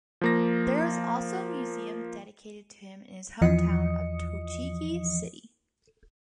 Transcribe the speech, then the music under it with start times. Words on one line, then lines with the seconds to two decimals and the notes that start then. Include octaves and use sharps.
There is also a museum dedicated to him in his hometown of Tochigi-city.
0.21 F3 A#3 A#6
3.41 E2 E3 F3 D#5 D#6 C#7